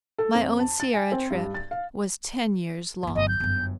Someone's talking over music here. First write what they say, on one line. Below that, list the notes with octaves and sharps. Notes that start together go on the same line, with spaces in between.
My own Sierra trip was ten years long.
A4
F2
A5
A6
G#5
C4
G2
A6
F5
G1 D#2
G1 D#5
G6
G1 F#2